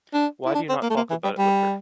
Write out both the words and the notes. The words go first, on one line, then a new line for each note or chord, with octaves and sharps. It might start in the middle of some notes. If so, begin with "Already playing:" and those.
Why do you not talk about it with her?
D4
E4
D4
C4
A#3
A3
A#3
E3
G3
G3